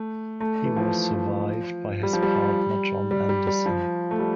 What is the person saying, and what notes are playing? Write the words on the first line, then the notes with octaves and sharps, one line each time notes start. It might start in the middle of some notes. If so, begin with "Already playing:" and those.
He was survived by his partner John Anderson.
Already playing: A3
A3
E3
F3
G3
F3
G3
G3
G3
G3
F3
A3
G3